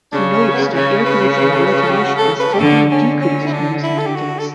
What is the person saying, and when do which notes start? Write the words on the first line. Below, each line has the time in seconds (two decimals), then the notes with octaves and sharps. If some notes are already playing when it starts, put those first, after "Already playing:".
He notes that air pollution in wealthy nations has steadily decreased in recent decades.
0.12 C#3 D4
0.33 C#4
0.53 B3
0.74 C#3 C#4
1.05 B4
1.36 B4
1.52 A4
1.67 B4
1.82 A4
1.90 G4
1.98 F#4
2.18 A4
2.40 B4
2.53 G4
2.59 D3 A4
2.90 D3 C#4
3.22 C#4
3.46 E4
3.52 D4
3.83 E4
3.98 A4
4.06 G4
4.15 F#4
4.39 A4